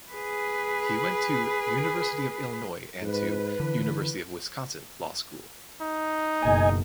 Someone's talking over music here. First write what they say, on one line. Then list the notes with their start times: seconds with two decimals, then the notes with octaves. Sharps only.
He went to University of Illinois and to University of Wisconsin Law School.
0.10 G#4 B4
3.01 G#2 B4
3.60 D3 E3
5.82 D#4
6.42 F#1 B2 D#5 G#5